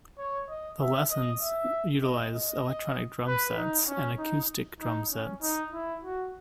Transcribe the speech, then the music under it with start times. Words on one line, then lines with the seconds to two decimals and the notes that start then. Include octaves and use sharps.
The lessons utilize electronic drumsets and acoustic drumsets.
0.18 C#5
0.49 D#5
0.80 E5
1.10 D#5
1.41 E5
2.03 D#5
2.33 D#5
3.26 B4
3.57 D#4
3.88 C#4
4.18 D#4
4.80 D#4
5.10 C#4
5.42 D#4
5.72 E4
6.03 F#4